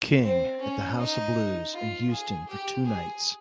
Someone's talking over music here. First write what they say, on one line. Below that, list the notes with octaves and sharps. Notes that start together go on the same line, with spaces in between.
King at the House of Blues in Houston for two nights.
C4
C#4
D#4
F4
G#4
G4
G#4